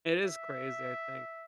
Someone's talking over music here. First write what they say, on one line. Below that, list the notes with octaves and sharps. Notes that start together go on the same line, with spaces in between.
It is crazy, I think,
E5